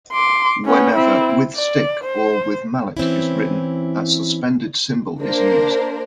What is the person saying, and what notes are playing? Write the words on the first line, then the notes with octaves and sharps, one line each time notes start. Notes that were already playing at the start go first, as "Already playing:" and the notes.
Whenever "with stick" or "with mallet" is written, a suspended cymbal is used.
C6 D6
B3 C#4
C4 E4
D5
C5
E3 C4 C#4 E4
A#3 D4 A#4 C5